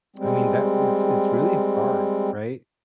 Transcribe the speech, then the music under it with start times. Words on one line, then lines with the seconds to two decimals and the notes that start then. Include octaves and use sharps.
I mean, that it's it's really hard, right?
0.16 G3 G#3 C4